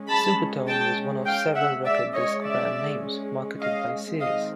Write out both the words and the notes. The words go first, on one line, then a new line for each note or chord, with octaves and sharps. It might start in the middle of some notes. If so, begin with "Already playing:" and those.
Supertone was one of several record disc brand names marketed by Sears.
Already playing: G#3 C#4
A5 B5
G5 A5
F5 G5
E5 F#5
G#3 C#4 D5 E5
C#5 D#5
D5 E5
D#5 F5
D#3 G#3 C4 D#5 F5